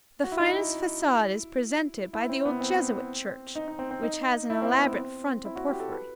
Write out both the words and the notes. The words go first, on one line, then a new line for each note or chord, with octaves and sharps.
The finest facade is presented by the old Jesuit church, which has an elaborate front of porphyry.
F#4
E4
D#4
E4
E4
C4
B3
C4
D#4
D#4
C4
C4
D#4
E4
C4
B3
C4
E4
F#4
G4
A4
B4